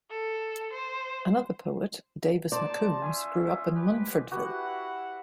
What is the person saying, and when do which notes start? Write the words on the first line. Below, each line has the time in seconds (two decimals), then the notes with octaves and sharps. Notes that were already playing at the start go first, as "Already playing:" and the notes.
Another poet, Davis McCombs, grew up in Munfordville.
0.10 A4
0.73 C5
2.52 D#4 C5 D5 A5
3.02 C#4 F4 E5 G#5 D#6
3.74 G4 B4
4.31 E4 F#4 G4 B4 F#5